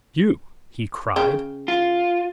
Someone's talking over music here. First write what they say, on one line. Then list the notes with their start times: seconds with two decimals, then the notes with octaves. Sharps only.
"You?" he cried.
1.16 C#3 G5
1.68 F4